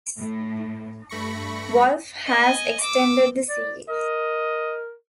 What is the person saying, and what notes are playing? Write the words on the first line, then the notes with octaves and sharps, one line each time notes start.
Wolfe has extended the series.
A2
G2 A3 B5 C#6 A#6 C#7
D#5 G#5
D6 E6
D5
A#4 D#5